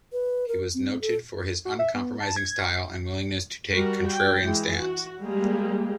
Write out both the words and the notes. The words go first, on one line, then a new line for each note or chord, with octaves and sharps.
He was noted for his uncompromising style and willingness to take contrarian stands.
B4
A#4
C4
A4
F#4
E5
B3
A5
G#6
G3 F#4 A#4
G5
E3 G#3
F#4
G3 G#3 A#3 G4 G#4